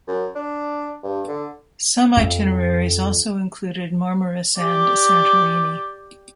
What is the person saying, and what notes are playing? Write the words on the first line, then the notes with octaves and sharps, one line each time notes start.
Some itineraries also included Marmaris and Santorini.
F#2
D4
G2
D3
F2
G4 D5